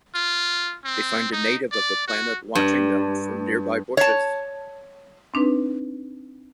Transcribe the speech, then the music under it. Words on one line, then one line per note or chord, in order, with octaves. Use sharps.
They find a native of the planet watching them from nearby bushes.
F4
C4
D#4
D5
F#4
G2
C#5 A5
C4 D4 D#4 B4